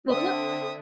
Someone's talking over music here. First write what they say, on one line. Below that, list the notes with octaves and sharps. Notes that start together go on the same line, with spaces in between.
What was that?
D3 C4 E5 D#6